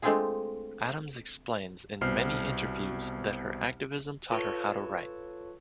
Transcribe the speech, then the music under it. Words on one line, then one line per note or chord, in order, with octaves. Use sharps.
Adams explains, in many interviews, that her activism taught her how to write.
G#3 A3 C4 D4 F4 G#4
C2 B2 C5 F6 C7
F4 A4 B4 C#5 A5 C#6